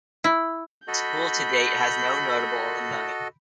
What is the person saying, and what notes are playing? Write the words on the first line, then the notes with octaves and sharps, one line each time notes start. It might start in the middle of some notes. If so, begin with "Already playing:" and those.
The school to date has no notable alumni.
E4
F#4 A4 D#5 B5 G6